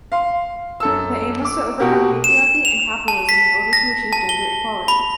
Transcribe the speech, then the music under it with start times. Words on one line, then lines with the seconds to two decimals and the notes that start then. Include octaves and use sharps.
The aim was to overcome patriarchy and capitalism in order to achieve gender equality.
0.12 F5 C6
0.80 F#2 A4 E6
1.45 D6
1.79 B2 F#4 G4 A#4
2.24 E7
2.65 F7
3.08 A5
3.29 B6
3.73 A#6
4.13 A5
4.29 G7
4.88 B5